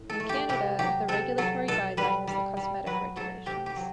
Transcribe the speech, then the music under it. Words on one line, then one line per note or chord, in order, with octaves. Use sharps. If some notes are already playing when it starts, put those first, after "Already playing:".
In Canada, the regulatory guideline is the Cosmetic Regulations.
Already playing: A2
A4
A3
G4
C3 G4
F#3 G4
C3 A4
F#3 A4
B2 A4
G3 B4
G3
G3
F#3 B4
F#3 A4
C3 G4
G4
F#3